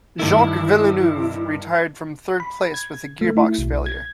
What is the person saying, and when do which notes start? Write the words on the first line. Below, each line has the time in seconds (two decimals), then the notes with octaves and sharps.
Jacques Villeneuve retired from third place with a gearbox failure.
0.19 G2 D#3 E4
2.40 B5
2.74 G#6
3.21 A3
3.37 E4
3.59 B1
3.86 G#6